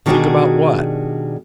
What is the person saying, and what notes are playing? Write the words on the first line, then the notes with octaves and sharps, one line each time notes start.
"Think about what?"
B2 D#3 G3 D4 F#4 G#4